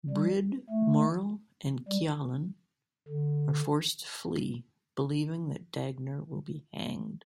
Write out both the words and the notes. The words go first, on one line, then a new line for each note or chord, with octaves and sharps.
Brid, Moril, and Kialan are forced to flee, believing that Dagner will be hanged.
G3
A3
G3
D3